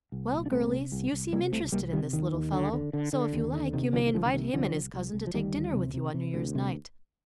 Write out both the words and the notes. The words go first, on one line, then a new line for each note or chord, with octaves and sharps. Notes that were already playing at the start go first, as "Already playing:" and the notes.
"Well, girlies, you seem interested in this little fellow so, if you like, you may invite him and his cousin to take dinner with you on New Year's night."
C2
A#2
D4
C2 A3 C4
C3
C2
C2
C3 G3 A#3
C2 A3 C4
C2 G3 A#3
C3 D#3 G3
D#2 D#3
D#2
D3
D3
D3
D3
D#2
D3
C3 D#3
C2 D3 F3
D#3
C2 D3 F3
D3
C3 D#3
C2 D3 F3
C2
C2
C2
F3
D2 D#3 G3
D2
C3
C3
C3
D2
C3